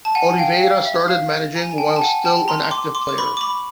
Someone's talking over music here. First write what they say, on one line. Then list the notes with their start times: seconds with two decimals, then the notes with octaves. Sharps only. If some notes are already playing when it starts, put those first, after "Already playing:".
Oliveira started managing while still an active player.
0.05 A5
0.15 F#5 G#5
0.38 F5 G5
0.62 F5
0.85 E5
1.08 F5
1.55 G#5 A#5
1.71 G#5
1.78 G5 A5
1.96 A5
2.02 F#5 G#5
2.25 G5 A5
2.48 A#5 C6
2.71 C6 D6
2.95 C6 D6
3.09 D6
3.18 B5 C#6
3.37 D6
3.41 B5 C#6